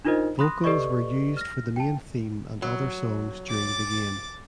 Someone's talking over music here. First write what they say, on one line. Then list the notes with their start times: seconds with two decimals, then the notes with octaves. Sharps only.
Vocals were used for the main theme and other songs during the game.
0.05 D4 D#4 F4 A#4 C5 D#5
0.39 B5 C6 D#6 F#6 A#6
0.64 G4 A4 B4 D5 D#5 C#6
1.37 F6 A#6
1.76 G5 A5
2.62 F#3
3.49 D6 A6